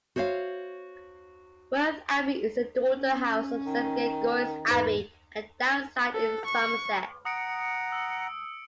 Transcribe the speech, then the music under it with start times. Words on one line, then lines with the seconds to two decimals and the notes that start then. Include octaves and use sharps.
Worth Abbey is a daughter house of Saint Gregory's Abbey, at Downside, in Somerset.
0.16 F#4 C5 C#5 E5 F5
2.85 C#4
3.66 D#3
4.68 E2 G#2 D#4 B4
6.13 A4
6.46 C#6
7.25 F#5 A#5 D#6 C#7 D7
7.92 E6